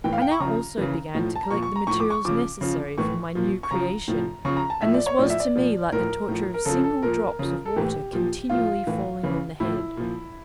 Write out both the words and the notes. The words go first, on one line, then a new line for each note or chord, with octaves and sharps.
I now also began to collect the materials necessary for my new creation, and this was to me like the torture of single drops of water continually falling on the head.
A2 E3 G5
F5
G5
C#6
C#3 F3 A#5
C#3 E3
A2 F3
A5
A#5
A#2 F3 C#6
C#6
A#5
A2 F3 C#6
D6
C#6
C#3 F3 D6
C#3 F3
A2 E3 C#6
A#2 F3
C#6
C#3 F3 A#5
A2 F3
C#3 F3 C#6
A#5
A5
A2 F3 E5
D5
C#5
A2 F3 D5
E5
D5
A#2 F3
A2 F3 A#4
A2 F3
A#4
C#3 F3 A4
A4
A#2 F3 A#4
C#3 F3
A4
A2 E3 G4
A#2 F3
A2 F3 F4
A2 E3
C#3 E3
A2 F3 E4
A#2 F3